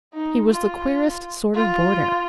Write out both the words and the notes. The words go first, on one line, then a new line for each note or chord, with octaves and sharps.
He was the queerest sort of boarder!
D#4
F4
F4